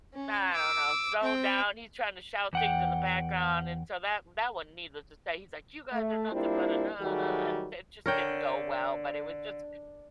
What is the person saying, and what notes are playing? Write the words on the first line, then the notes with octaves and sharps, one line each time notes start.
I don't know, zoned out, he's tryna shout things in the background and so, that that one, needless to say He's like, "You guys are nothing but a da da," and it just didn't go well, but it was just
C#4
D6 E6
C4 G5
E2 F#5 G5
A3
G3 A#3 C4 D4 E4 F4
D#3 F#3 G3 A3 F#4 G#4
D3 A#4 C#5 G5